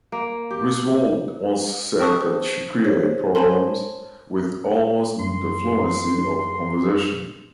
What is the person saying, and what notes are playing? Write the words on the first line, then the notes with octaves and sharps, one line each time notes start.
Griswold once said that she created poems "with almost the fluency of conversation".
A#3
G4
G5 A5 C#6 D#6 F#6
C5
C5 C#5
C5 C#5 G#5 A5 B5 C6
F#2 C6